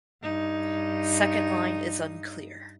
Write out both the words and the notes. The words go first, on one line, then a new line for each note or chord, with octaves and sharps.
Second line is unclear.
G2 D#4